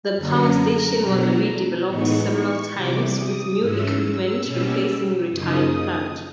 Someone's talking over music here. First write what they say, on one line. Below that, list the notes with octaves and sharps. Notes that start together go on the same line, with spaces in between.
The power station was redeveloped several times with new equipment replacing retired plant.
F#2 D3 F#3 A#3 C#4 A#5
B2 F#3 B3 D4
A2 E3 G#3 B3 D#4 C#6
C#6
C3 E3 G3 D6
D#6
G#2 E3 G#3 C#4 E6
B2 G3 A#3 C#4
F#2 C#3 F3 A#3 D#4 D#6